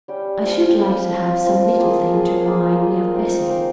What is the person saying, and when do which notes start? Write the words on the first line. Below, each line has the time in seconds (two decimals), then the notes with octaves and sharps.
'I should like to have some little thing to remind me of Bessy.'
0.08 G3 C#4 G4
0.42 F3 C4 F4
0.76 F3 C4 F4
1.10 F3 C4 F4
1.44 F3 C4 F4
1.78 A#3 F4 G#4 D#5
2.12 A#3 F4 G#4 D#5
2.45 A#3 F4 G#4 D#5
2.79 A#3 F4 G#4 D#5
3.13 C4 D#4 A#4 F5
3.47 C4 D#4 A#4 F5